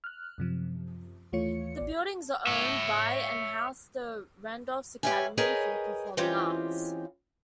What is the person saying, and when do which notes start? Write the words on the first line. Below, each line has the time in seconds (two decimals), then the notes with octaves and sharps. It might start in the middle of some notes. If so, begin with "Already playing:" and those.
The buildings are owned by and house the Randolph Academy for the Performing Arts.
0.04 F6 F#6
0.38 F#2 C3 F3
1.32 D#2 E3 A3 F4 C#5 C#7
1.78 A1 D5
2.47 C#5 E5
5.03 G4 B4 C#5 E5 F5 G#5
5.37 G#4 A#4 B4 C#5 D#5 G5
6.17 E3 G#3 C4 C#4 F4 G4